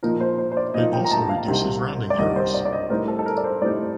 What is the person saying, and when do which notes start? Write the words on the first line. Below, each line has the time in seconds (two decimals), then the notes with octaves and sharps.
It also reduces rounding errors.
0.03 A#2 F3 A#3 D#4 A#4
0.20 C5
0.38 C5
0.52 C5
0.57 D5
0.74 A#2 F3 A#3 D#4 D#5
0.93 G5
1.04 A#5
1.11 A5
1.29 F5
1.47 C2 C3 D#3
2.10 D5
2.18 C2 C3 D#3 D#5
2.36 C5
2.54 D5
2.65 D5
2.73 D#5
2.90 A2 G3 C4 D#4 A#4
3.08 A4
3.19 A4
3.26 A#4
3.37 D5
3.44 C5
3.61 A2 G3 C4 D#4 D5